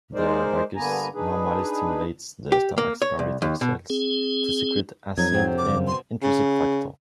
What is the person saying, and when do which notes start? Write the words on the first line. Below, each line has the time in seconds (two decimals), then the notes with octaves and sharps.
The vagus normally stimulates the stomach's parietal cells to secrete acid and intrinsic factor.
0.14 G#3 D#4 A#4 C5 D5
0.76 G2 D3 A#3 B3 G#5 A#5
1.15 D4 D#4 G#4 B4
2.52 G4
2.78 A#3
3.02 C#5
3.19 C2
3.42 D#2
3.61 B2
3.90 C4 G#4
5.18 F2 F#3 D#4 B4 G#6
5.33 G#2 C3 F#3 D4
5.58 C#3 F4 D6
5.87 B2 G#5 C6
6.22 C#3